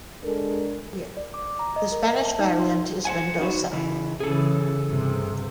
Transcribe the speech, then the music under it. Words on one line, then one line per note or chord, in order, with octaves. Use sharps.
The Spanish variant is Mendoza.
G#3 D4 A4 A#4
D5
D6
A#5
D#5
A#4
E5
A5
D#4
C6
C5 F#5 G#5
D#4 F#4 C5
C#3 E3
C#3 E3 G#4 A4
G2 C3